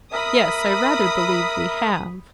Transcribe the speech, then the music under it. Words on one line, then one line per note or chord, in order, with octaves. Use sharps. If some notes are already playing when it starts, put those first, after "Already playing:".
"Yes, I rather believe we have."
A#4 E5 B5 D#6